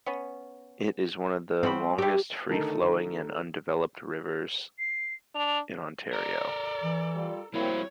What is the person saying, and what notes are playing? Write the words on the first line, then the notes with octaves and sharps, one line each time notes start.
It is one of the longest free-flowing and undeveloped rivers in Ontario.
B3 C#4
F3 C4 F#4 B5
G3 A3 G4
D3 D#3 A3 D#4 A4 A#4
C7
D4 F7
A4 A#4 D5
E3
G3 F4
G3 A#3 C4 E4 F#4 C#5